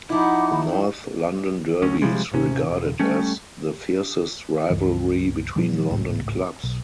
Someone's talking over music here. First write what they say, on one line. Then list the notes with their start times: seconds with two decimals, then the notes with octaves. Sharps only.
The North London Derby is regarded as the fiercest rivalry between London clubs.
0.10 F3 D#4 E4 F#5 B5 D6
1.82 D2 C#4
2.02 C3 F3 G3 G#3
2.31 D#1 G#1 C3 C#4
2.70 E1
3.00 G3 A3 C#4
4.70 C#2 G2 E3
5.56 A#2 F3 G3
5.90 G#1 C#2 A2
6.64 B1